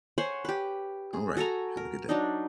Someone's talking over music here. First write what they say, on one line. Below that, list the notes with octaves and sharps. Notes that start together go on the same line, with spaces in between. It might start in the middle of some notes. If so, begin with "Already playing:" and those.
Alright. Have a good day.
C5 C#5 F#5 G#5
G4 B4
G#4
F#4 A4 G#5 A#5
A#4
F#3 D4 D#4